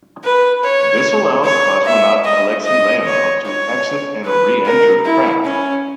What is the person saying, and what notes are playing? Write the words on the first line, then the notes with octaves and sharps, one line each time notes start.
This allowed cosmonaut Aleksei Leonov to exit and re-enter the craft.
B4
C#5
C#5
E5
D#5
D#5
C#5
C#5
B4
A#4
E4
C#4